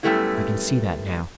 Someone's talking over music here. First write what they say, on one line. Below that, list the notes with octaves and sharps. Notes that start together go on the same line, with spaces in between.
I can see that now.
F#2 B2 G3 A3 B3 E4